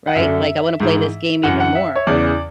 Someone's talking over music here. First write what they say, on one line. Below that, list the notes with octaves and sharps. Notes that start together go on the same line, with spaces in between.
right? Like, I wanna play this game even more."
F#5
F#2 D3 E5
G#2 E3
F#2 E3 F#5
F#5
E5
C#5
E2 C#3 E3 D5